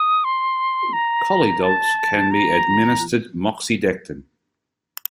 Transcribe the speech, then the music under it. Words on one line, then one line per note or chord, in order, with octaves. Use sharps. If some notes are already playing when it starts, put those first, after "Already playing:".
Collie dogs can be administered moxidectin.
Already playing: D#6
C6
A#5
A5
A#5